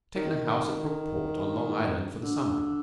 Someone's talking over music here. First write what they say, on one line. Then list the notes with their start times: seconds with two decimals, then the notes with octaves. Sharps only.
I've taken a house at Brookport, on Long Island, for the summer.
0.15 D#3
2.23 D3